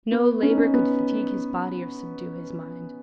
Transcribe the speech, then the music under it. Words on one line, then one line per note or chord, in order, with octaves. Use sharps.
No labour could fatigue his body or subdue his mind.
B3
C#4
D#4
C#4
B3